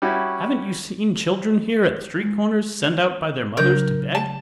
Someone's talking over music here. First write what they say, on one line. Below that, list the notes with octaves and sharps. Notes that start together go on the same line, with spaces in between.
Haven't you seen children here at the street corners sent out by their mothers to beg?
G3 C#4 E4 F#4
G#3
C#3 F#3 D4 A#4 G6
A5